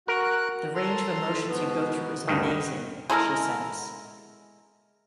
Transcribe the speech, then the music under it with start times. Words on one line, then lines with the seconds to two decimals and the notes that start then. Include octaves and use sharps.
"The range of emotions you go through is amazing", she says.
0.08 F#4 A#4 F#5 F#6
0.75 A4 A#5 C6
1.47 G#2 B2 B3
2.28 D2 G2 D#3
3.10 G#3 E4 A4 A#4